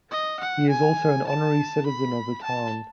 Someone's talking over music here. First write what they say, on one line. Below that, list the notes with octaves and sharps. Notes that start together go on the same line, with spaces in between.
He is also an honorary citizen of the town.
D#5
F#5
G#5
A5
B5
A5